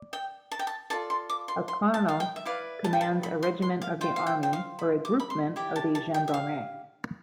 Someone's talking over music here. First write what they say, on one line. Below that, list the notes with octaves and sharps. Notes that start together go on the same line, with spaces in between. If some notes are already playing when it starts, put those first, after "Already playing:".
A "colonel" commands a regiment of the army or a "groupement" of the Gendarmerie.
Already playing: D5
G5
A5
G5
A5
F4 A4 D5 A5
C6
D6
C6
C6
A5
F5
G5
E5
E4 B4 D5 F5
A5
G5
A5
B5
C6
C6
F5
F4 C5 G5
F5
G5
G5
F5
B5
D6
B5
C6
E4 G4 D5
A5
A5
G5
E5
F5